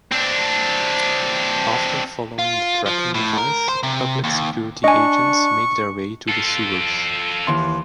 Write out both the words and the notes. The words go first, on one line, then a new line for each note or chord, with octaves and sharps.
After following the tracking device, Public Security agents make their way to the sewers.
C4 D4
F4
F3
A2
A#4
C5
C3
D#2
D4 D#5 G#5 C#6
F4 A4
D#2 E3 C6